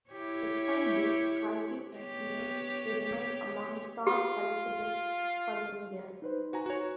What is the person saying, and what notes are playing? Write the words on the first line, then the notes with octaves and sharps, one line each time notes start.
Despite this, Corgi continued to remain among top collectables for many years.
E4 G4 C#5
B3 G4 C#5
F4 G4
D#4 B4 C5
F#4 G#5 A#5
F#4 C#5